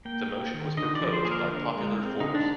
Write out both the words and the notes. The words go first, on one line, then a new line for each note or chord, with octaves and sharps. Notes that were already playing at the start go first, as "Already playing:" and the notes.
The motion was proposed by Popular Force.
A#3 G5
A#3
D#3
D3 D#5
D5
F3
C5
A#3 G#4
A#4
D3
G#3
C4
D3 D#4
D4